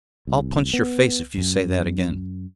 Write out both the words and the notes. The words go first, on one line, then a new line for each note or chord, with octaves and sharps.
I'll punch your face if you say that again!
C2
B3
F#2